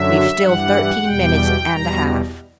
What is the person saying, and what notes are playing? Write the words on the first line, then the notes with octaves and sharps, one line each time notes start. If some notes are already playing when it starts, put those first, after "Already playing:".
"We've still thirteen minutes and a half."
Already playing: F#2 D3 F#3 E5
G2 E3 G3 F#5
E2 B2 G3 G5
E2 B2 G3 A#5